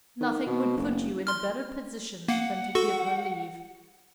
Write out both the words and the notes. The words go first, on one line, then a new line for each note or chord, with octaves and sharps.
"Nothing would put you in a better position than to give her leave."
D#3
B2
F#1
C6 F6
A#3 F#5
F#4 A4 C#6